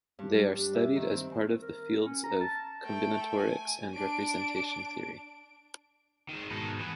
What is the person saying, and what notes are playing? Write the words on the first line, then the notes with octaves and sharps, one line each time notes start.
They are studied as part of the fields of combinatorics and representation theory.
G2
G3
D4
E5
D#3
C4
A#4
C#4
A#5
A5
A3 G5
G#5
D4 D7
D#3 G#3
G#2 B2 D#3 A4 B4
E3 B3